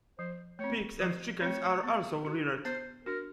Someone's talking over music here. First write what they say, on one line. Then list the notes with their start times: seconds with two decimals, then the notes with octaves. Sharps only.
Pigs and chickens are also reared.
0.18 F3 C5
0.59 A3 C4 C#5
1.00 F3 C5
1.41 A3 C4 C#5
1.83 B3
2.25 D4 F#4
2.65 B3 C5
3.06 D4 F#4 A#4